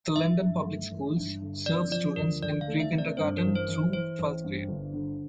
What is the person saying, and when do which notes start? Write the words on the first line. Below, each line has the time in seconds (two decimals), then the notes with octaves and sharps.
The Linden Public Schools serve students in pre-kindergarten through twelfth grade.
0.16 A1 E5
0.41 G2
0.66 A3
0.91 A1
1.16 G2
1.42 D3
1.66 C3 D5
1.91 F3 D5
2.16 D2 A#4
2.43 D2 D5
2.61 F5
2.67 A3
2.80 E5
2.92 C3
2.98 D5
3.17 G2 C5
3.37 A#4
3.43 A1
3.55 C5
3.68 E3
3.74 C5
3.93 E3 C5
4.19 A1
4.44 G2
4.69 G1
4.93 D3